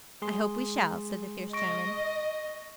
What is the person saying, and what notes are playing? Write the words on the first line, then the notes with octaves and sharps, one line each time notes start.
'I hope we shall,' said the fierce gentleman.
G#3 G#4 C6
D#5 C#6 A#6 D7